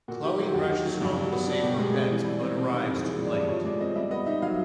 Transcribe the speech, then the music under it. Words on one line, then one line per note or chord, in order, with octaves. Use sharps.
Chloe rushes home to save her pets but arrives too late.
A#2 F#4
D#3 G4
F#3 G4
D#2 F#4
D#3 F#4
F#3
G2
F#3
B3
D4
B2 G4
G#3
C4
E3
G3
C4
C3
D#3
F2
E3 G#4
G3
D5
G2
F3 C#5
G#3 D5
C4 D#5
G3 E5
B3 D#5
D#4 E5
F#3 F5